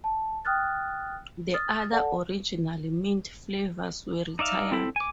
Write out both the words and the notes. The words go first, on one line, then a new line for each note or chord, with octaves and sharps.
The other original mint flavors were retired.
A5
G5 D#6 F6 F#6 A6
D#6 F6 A6
A4 D5 F#5 A5
D#4 D5 E5 F5
C4 E4 A4 B5
G#5 D6